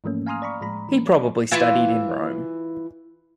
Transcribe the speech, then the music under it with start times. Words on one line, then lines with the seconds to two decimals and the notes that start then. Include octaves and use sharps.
He probably studied in Rome.
0.04 G#2 E3 F3 A3 A#3 C#4
0.26 F5 G#5 A#5 C6 D#6 F6
0.42 D5 A#5 B5 C#6
0.61 A2 F3 G#3 A#5 B5
0.89 E3 A#3
1.51 E3 E4 F4